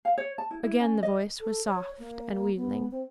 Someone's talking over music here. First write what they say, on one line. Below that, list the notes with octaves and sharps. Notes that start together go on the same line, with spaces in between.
Again the voice was soft and wheedling....
F5
C#5
A5
E4
E4
C#4
D#5
A4
C#5
A#3
B3
C4